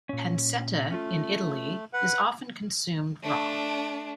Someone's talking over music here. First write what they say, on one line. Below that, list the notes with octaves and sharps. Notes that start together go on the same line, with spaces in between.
Pancetta in Italy is often consumed raw.
A#2 C#4
A3 C#4 F4
B4 F#5
A3 D4